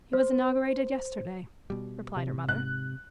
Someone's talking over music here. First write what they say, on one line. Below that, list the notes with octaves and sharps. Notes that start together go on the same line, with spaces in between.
"He was inaugurated yesterday," replied her mother.
C5
B2 G3
C3
G#2 F#6